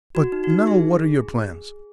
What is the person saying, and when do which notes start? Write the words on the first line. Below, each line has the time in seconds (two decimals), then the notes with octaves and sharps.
But now what are your plans?
0.15 F#4
0.32 D#4
0.44 F#4
0.50 D#4
0.67 G#4